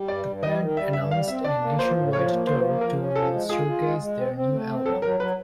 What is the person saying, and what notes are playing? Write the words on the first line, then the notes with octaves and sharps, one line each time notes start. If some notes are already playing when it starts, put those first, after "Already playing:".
The band announced a nationwide tour to showcase their new album.
Already playing: G3
G2 D5
G2
G3 D#5
D#3
G3 E5
G2 E5
G3 F5
C4 E5
D4 D5
A#3
F3 C5
A2
F3 C#5
A#3
F3 C5
A#3
F3 A#4
C#4
F3 A4
G#3
F4 G#4
F4
G#3
G#3
C4
C4
A3
C4
F#3 A4
F#3 A#4
F#3 B4